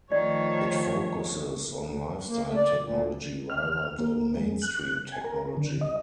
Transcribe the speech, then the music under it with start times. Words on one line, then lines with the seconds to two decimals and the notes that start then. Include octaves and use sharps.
It focuses on lifestyle technology rather than mainstream technology.
0.12 D#3 F3 A3 C#5 D5
2.27 A#3
2.44 A3
2.56 D5
2.79 A#2
3.50 F6
3.99 A#3
4.37 G#3
4.62 F#6
5.12 G#5
5.25 A#4
5.57 D3
5.81 D#5